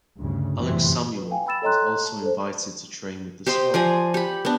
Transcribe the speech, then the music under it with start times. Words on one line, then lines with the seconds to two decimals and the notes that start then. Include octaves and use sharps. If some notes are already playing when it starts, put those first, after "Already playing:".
Alex Samuel was also invited to train with the squad.
0.17 D2 G2 C#3
0.61 G1 F#2 A2 C3 E3 C4
1.17 B4
1.31 F5 G5 G#5
1.46 G5 B5 E6 A6 E7
1.62 A4 C#5 D#5 A#5 C6 F#6
2.06 A5
2.22 A4 C5
3.46 G4 C5 D#5 C6
3.74 F3 D5 G#5 A#5
4.14 G4 B5
4.45 B3 D4